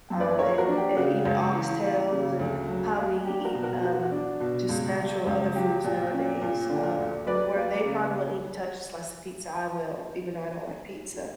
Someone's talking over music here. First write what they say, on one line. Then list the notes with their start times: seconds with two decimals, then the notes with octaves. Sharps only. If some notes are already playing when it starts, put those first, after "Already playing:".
um, and, uh, even oxtails and how we eat, um, just natural other foods nowadays, um, where they probably wouldn't even touch a slice of pizza, I will, even though I don't like pizza,
0.10 F#2
0.20 B4 D5
0.39 A#3 A#4 C#5
0.58 F#4 A#4
0.68 D4
0.77 G4
0.96 C#3 F#4
1.25 C#2
1.53 E3
1.83 A#3
2.11 C#3
2.39 D2
2.68 F#3
2.97 A#3
3.25 G3 G4
3.45 F#4 A#4
3.54 B2
3.63 F#4 A#4
3.82 B3 F#4
4.03 F#4
4.11 D4
4.40 B2
4.69 C#2
4.97 G3
5.26 C#2
5.55 F#3 G4
5.84 A#2
6.13 C#4
6.42 A#2
6.70 D3
6.98 D2
7.27 F#3 B4 D5
7.55 A#3
7.85 C#3